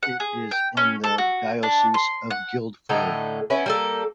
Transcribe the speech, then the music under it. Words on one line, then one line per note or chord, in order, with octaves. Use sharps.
It is in the Diocese of Guildford.
F#5
G#4
G5
C#4
A4
F#4
D4
C6
F#5
A2 D3 A3 D#4
B3 C#4 E4
G3 A#3 A4